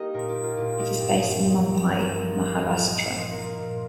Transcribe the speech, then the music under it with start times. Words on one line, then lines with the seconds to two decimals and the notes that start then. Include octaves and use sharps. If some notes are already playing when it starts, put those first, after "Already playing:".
It is based in Mumbai, Maharashtra.
Already playing: A#3 D#4 F4 G4 D#5
0.14 A#2 A#4
0.29 G4
0.36 A#3
0.44 F4
0.57 A#2 G4
0.78 D#4 G4
1.00 G2 G4
1.22 F3
1.44 D#4
1.65 C4
1.86 G2 A#4
2.09 F3
2.29 D#4
2.45 C5
2.51 C4
2.59 D#5
2.73 A#2
2.87 D#5
2.95 A#3
3.01 C5
3.16 A#2 D#5
3.31 A#4
3.38 F4
3.45 A#4
3.58 A#2 C5